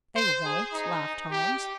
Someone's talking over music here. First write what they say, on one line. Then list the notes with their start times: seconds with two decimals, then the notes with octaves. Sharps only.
"They won't," laughed Holmes.
0.16 C5
0.45 G#4
0.73 D#4
1.31 G4